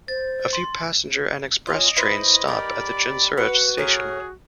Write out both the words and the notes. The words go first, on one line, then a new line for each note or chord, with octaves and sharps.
A few passenger and express trains stop at the Chinsurah station.
C5 A6
C6
C#4 F4 D#5
E4 B4 C5 B5
D#4 G4 A#4 D5
F#4 B4 F#5
A2 G#4 A#4